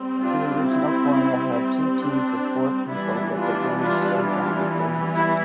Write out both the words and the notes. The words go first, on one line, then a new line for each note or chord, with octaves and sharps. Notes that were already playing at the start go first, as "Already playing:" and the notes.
The original format had two teams of four people with a winner-stays-on format.
Already playing: G3 C4
D4 F4
E4
D4
E3 G3 B3 D4 E4
D4 F4
D4 F4
D4 F4
E4